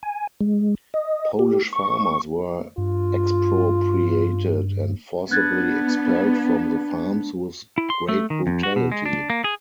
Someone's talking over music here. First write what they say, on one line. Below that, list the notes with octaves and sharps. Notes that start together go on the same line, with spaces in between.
Polish farmers were expropriated and forcibly expelled from the farms with great brutality.
G#5
G#3
D#5
G4
C#6
G2 F4
B3 D4 F#6 G#6 A6
E4
C6
A3
D#3
F2
F#4
B2
G#3
D4
A#3
G#4